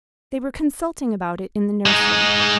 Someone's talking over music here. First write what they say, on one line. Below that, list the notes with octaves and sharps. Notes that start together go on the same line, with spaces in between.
They were consulting about it in the nursery.
G#3 D#4